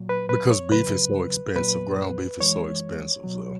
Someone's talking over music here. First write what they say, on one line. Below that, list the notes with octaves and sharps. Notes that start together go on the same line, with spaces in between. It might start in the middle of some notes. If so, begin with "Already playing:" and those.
Because beef is so expensive, ground beef is so expensive, so
Already playing: A#2 F#3
B4
B4
C#5
E2 C#3 F#3 B4
A#2 F#3 B4
F#2 E3 G#3 C#5
B2 F#3